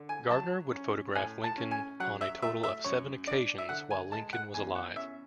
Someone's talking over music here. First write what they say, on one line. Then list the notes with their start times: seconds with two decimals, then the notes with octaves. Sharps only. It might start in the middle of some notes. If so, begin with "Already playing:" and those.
Gardner would photograph Lincoln on a total of seven occasions while Lincoln was alive.
Already playing: D3
0.09 G#5
0.30 F#3 A5
0.73 C#4
1.15 A2 G#5
1.44 A5
1.58 C#4
1.71 G#5
2.00 F#3 F#5
2.21 E5
2.42 A3 E5
2.63 E5
2.84 F#2 C#5
3.27 D4 D5
3.58 E5
3.69 D3 F#5
3.91 G#5
4.12 G#3 A5
4.33 F#5
4.54 E2 G#5
4.75 F#5
4.96 C#4 E5